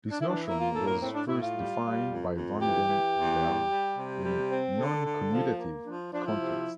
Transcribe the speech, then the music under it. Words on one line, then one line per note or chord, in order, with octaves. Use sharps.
This notion was first defined by Van den Bergh in a noncommutative context.
D4
E3 E4
D4
A#3 E4
F4
A2 A4
A#4
A2 C4
D4
A2 E4
F4
G3
G3
F2
F2
E3 G4
E3
E2
G3
G3
C3
G3
C4
D3 A4
D3
F3
A#3
F3 D4
F3 D4
E4
C3